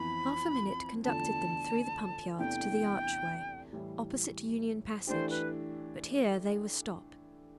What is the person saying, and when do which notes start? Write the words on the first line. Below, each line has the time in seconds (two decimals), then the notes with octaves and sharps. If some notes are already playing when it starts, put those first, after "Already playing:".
Half a minute conducted them through the pump-yard to the archway, opposite Union Passage; but here they were stopped.
Already playing: F2 E3 B3 B5
1.04 E2 D3 F3 A3 D4 A5
2.39 E2 C3 E3 A3 D4 G5
3.73 A2 E3 G3
5.07 E3 A3 D4 G4 C5
5.30 B4